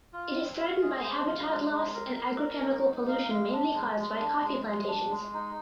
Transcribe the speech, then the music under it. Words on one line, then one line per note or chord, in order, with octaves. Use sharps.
It is threatened by habitat loss and agrochemical pollution mainly caused by coffee plantations.
F4
C4
F4
G#4
C5
F4
G#3
G#3
A#4
A#4
A#4
D#4
D#4
F5
G#3
D4
G#3
G#3
D4
G#3
G#3
D4
G#3
D#4